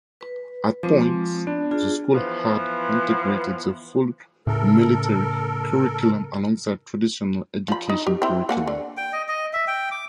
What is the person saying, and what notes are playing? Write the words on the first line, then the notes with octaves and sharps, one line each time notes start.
At points the school had integrated the full military curriculum alongside traditional education curriculum.
B4
F3 G#3 C4 D6
B3 D4
D4 F4 G#4
E3 F3 B3
A2 C#3 A4 A#4
F3 B5
D#4
G4
C4 E4
A#3 F#5 G#5
D3
G5
D#5
D#5
E5
G5
D6